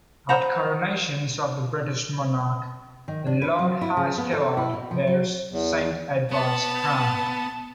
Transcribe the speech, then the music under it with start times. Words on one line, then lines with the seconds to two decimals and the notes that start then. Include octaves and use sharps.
At coronations of the British monarch, the Lord High Steward bears Saint Edward's Crown.
0.29 C5 F#5 A#5 B5
3.08 D#3
3.27 D4
3.42 B4
3.59 F#3
3.81 E4
3.97 C#3
4.18 B3
4.33 A4
4.57 E4
4.73 B2
4.91 F3
5.07 F#3
5.52 E2
6.31 B3 A5